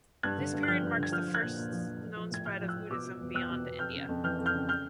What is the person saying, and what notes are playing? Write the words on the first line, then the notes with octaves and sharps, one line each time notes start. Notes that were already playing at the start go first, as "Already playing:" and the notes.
This period marks the first known spread of Buddhism beyond India.
G2 F#6 G#6
D3
G2
F#6
F3 F6 G6
G2
D3
G#6
F3 F6 G6
F3
F#6 G#6
A#2
A#2
F3
F3
F3
F3
A2 G#6
A2 F6 G6
F3
E6 F#6
F3
B2 D6 E6
B2
E2
E2 E6 F#6
B2
B2
F2 F6 G6
C#3
F2
E3 F6 G6
F2
F6 G6
C#3
F6 G6